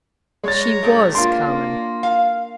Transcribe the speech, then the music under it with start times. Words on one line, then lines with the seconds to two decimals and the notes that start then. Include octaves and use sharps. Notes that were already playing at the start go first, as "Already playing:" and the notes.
She WAS CARMEN.
0.44 G#3 C#5 A#5 A6
0.83 G2 B2 A3
1.15 A#3 D4 F4 C6
2.03 F5